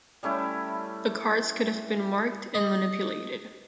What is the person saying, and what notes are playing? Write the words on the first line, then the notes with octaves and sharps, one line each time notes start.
The cards could have been marked and manipulated.
G3 A3 C#4 E4
D#5